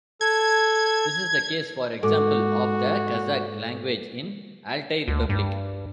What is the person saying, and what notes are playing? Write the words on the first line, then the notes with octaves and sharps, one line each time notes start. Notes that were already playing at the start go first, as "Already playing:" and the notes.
This is the case, for example, of the Kazakh language in Altai Republic.
A4 G#6
G#2 F#4 A4 D6
D2
G2